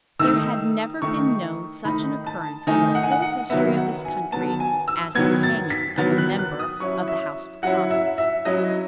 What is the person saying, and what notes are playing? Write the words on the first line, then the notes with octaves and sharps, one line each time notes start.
There had never been known such an occurrence in the whole history of this country as the hanging of a member of the House of Commons.
D#3 A3 D#4 E6
D#3 A3 D#4 C#6
D#3 A3 D#4 B5
A5
D#3 A3 D#4 G#5
F#5
G#5
F#5
F#5
D#3 F#3 B3 E5
F#5
G#5
D#3 F#3 B3 A5
G#5
E6
D#3 F#3 B3 G#6
A6
B6
D#3 F#3 B3 A6
F#6
F#6
D#6
F#3 C#4 E4 C#6
E5
F#3 C#4 E4 F#5
E5
E5
F#3 C#4 E4 D#5